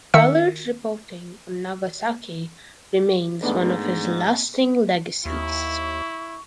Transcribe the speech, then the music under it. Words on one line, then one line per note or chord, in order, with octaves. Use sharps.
Weller's reporting on Nagasaki remains one of his lasting legacies.
D#3 E5 E6 C#7
G#2 A3 B3 D4
D#2 E4 C#6